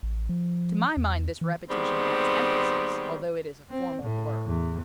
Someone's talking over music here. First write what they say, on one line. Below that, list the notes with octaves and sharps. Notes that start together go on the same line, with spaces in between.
To my mind this repetition adds emphasis, although it is a formal blur.
A1
F3
E2
E3
D#3 G3 G#3 B3 C4
C4
A2
E2